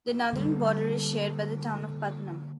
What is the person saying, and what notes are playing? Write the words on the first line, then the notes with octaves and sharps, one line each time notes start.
The northern border is shared by the town of Putnam.
D3 G3 A#3 A4